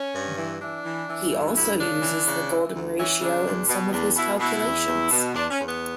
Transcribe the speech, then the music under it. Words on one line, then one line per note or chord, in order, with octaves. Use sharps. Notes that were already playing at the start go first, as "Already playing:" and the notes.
He also uses the golden ratio in some of his calculations.
Already playing: C#4
G2
E3
E3 D4
E3
E3
G2
D2 E4
C#3 D4
E3
C#3
E3
D2
E3 C#4
C#3 D4
E2
B2
E2 D4
B2 E4
B2 E4
E2
E2
B2
E2 D4
C#4
E2
B3